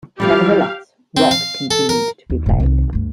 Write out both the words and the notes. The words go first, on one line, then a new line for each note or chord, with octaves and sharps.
Nevertheless, rock continued to be played.
E3 F3 G3 G4 F5
C4
F5
A4
A#4
D#2
E1 G#2
C2 D#3
D2 G2